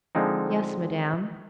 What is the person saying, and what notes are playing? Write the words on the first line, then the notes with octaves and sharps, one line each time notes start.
"Yes, Madame."
D3 F3 G#3 C4 D#4